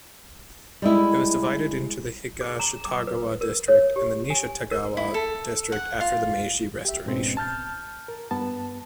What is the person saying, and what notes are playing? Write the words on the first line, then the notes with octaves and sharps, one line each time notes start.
It was divided into Higashitagawa District and Nishitagawa District after the Meiji restoration.
G3 G#3 E4
G#4
A#5
D6
B4
A#4
C#5
G4
G#5
A#4
E4
A4
F#5
F4
G4 E5
G#2 B2 C4 C#4
A5 F6 G6 A6
A#4
G2 B3 A5